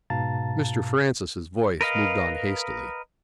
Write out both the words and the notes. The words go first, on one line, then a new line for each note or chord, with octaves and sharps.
Mr. Francis's voice moved on hastily.
G#2 B2 F5 A5 A#5 A6
A#4 B4 D#5 F5